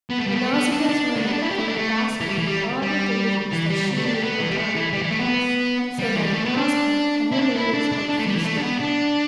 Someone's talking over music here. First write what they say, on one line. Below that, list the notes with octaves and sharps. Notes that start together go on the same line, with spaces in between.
And Nausicaa's mother filled a basket with all the dainties that she knew her daughter liked best, so that Nausicaa and her maidens might feast together.
B3
A3
G3
A3
B3
D4
D4
A3
B3
D4
E4
G4
E4
D4
A3
E3
G3
E3
G3
G3
E3
G3
A3
D4
G4
B3
E3
G3
A3
E3
G3
E3
A3
B3
G3
E3
G3
A3
B3
D4
E4
D4
E4
D4
D4
D4
A3
G3
E3
A3
D4
B3
D4